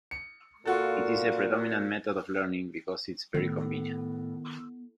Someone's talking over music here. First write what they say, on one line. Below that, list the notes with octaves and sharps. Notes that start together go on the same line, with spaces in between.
It is the predominant method of learning, because it is very convenient.
C#7
A#2 F4 F#4 A4
A2 D#3 B3